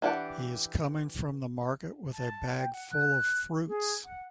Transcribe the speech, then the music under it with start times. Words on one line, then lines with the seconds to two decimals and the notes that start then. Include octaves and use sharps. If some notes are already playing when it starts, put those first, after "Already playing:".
He is coming from the market with a bag full of fruits.
0.02 E3 D4 G4 D5 F#5
2.13 A5
2.58 G5
2.72 F#5
2.91 F#6
3.68 G#4
4.05 F#5